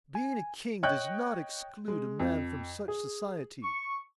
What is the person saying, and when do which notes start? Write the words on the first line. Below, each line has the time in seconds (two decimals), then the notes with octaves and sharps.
Being a King does not exclude a man from such society.
0.15 G#5
0.83 C#5 D#5 G5 C#6 F#6 G6
1.88 G#3
2.20 F2
2.88 G#4
3.63 C#6